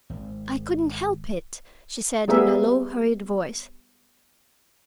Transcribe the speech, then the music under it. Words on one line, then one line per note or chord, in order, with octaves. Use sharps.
"I couldn't help it," she said in a low hurried voice.
G#1
G3 A#3 B3 G#4 A#4 E5